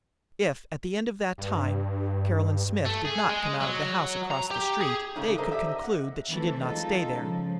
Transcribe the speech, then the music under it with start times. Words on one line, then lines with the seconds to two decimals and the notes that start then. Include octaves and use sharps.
If, at the end of that time, Caroline Smith did not come out of the house across the street they could conclude that she did not stay there.
1.38 G2
2.86 A3
3.05 G#4
3.30 G#3
3.61 F#3
4.31 A#5
4.51 G4
4.81 G#4
5.16 A#2 C#3 G3 A3 C#4 D#4
5.38 A4 A#4 C5 D#5 E5
5.52 G4 D5 E5
5.69 D#5
5.84 F#5
6.31 E3 A3 C4 A4
6.64 G#3 D#4 F4 A4
7.14 C#3 F3 G#3